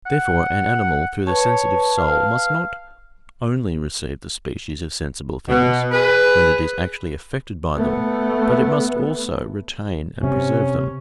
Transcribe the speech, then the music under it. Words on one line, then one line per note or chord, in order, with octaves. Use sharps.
Therefore an animal through the sensitive soul must not only receive the species of sensible things, when it is actually affected by them, but it must also retain and preserve them.
F#5
B4 C#5 A5
F5
B2
G#4 B4
A3 B3
C3 C#4